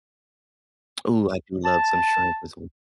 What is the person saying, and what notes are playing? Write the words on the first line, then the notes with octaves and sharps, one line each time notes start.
Ooh, I do love some shrimp with some
A5